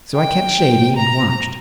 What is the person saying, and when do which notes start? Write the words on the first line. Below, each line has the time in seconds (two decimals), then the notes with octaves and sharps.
So I kept shady, and watched.
0.15 G5
0.96 A#5